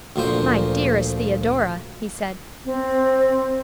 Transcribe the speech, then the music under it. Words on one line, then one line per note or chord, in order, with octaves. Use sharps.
"My dearest Theodora," he said.
D2 A#2 F3 C5
C4